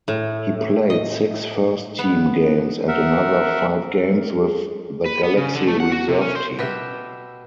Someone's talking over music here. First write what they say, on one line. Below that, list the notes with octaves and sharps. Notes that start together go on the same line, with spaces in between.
He played six first-team games and another five games with the Galaxy reserve team.
A2
D#5
B3
A#4 E5 F#5
G#4
B4
B3
C#3
D3
A3
F#5
F#4
C3
C#4
C5
B2 G4 E5